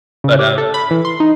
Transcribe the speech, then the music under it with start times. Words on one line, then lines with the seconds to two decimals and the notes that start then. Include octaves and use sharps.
But, um,
0.24 C#3
0.39 G4
0.58 A4
0.74 B5
0.91 E3
1.05 C6
1.20 D#4